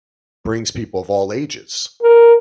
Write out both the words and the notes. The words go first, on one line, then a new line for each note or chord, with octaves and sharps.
brings people of all ages.
A#4